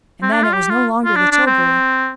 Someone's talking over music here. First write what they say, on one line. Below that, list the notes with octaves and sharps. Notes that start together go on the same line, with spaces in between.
And then, it was no longer the tilbury.
C4
D4
F4
G4
F4
F4
D4
D4
C4